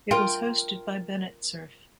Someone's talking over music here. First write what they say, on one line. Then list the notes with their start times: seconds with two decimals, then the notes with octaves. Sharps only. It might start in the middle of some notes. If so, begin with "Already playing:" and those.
It was hosted by Bennett Cerf.
0.11 F4 A#4 G5